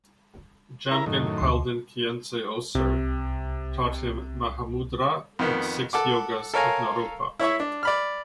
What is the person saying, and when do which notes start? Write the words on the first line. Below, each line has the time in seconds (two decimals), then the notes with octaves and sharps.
Jamgon Palden Kyentse Oser taught him Mahamudra and the Six Yogas of Naropa.
0.91 E4 A#4 A#5
1.06 F#2 A2 D#3
1.38 D2 C6
2.75 C2 C3
5.39 F2 D#3 B3
5.93 A4 F#5 D6
6.54 A4 A#4 C#5 F5 G#5 A#5
7.40 E4 C#5 E5 C#6
7.60 D4
7.83 D5 B5 F6